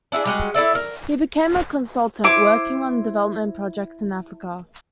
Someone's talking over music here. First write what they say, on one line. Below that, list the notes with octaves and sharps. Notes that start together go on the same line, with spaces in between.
He became a consultant, working on development projects in Africa.
D4 E4 F#4 G#4
G3 G#3 F#4
E4 A4 D5 E5
A#4
E4 C5 D6